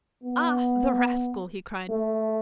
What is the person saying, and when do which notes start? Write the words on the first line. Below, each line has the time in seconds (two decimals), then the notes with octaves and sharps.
"Ah, the rascal!" he cried.
0.23 B3
1.90 A3